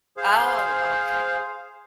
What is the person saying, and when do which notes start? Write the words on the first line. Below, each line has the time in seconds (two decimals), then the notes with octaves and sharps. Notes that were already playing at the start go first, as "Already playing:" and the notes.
Oh, okay.
0.17 G#4 C5 F5